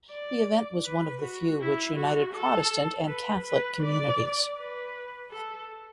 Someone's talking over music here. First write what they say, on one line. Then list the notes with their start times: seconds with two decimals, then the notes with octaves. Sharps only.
The event was one of the few which united Protestant and Catholic communities.
0.11 D5
0.85 B4
1.22 F#4
1.61 E4
1.97 F#4
2.34 A4
3.08 B4
3.45 B4
3.83 D5
4.57 B4
5.31 A4